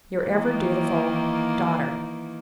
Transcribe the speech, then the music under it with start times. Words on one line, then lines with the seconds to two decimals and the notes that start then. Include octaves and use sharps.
Your ever dutiful DAUGHTER.
0.23 D#3 E3 A#3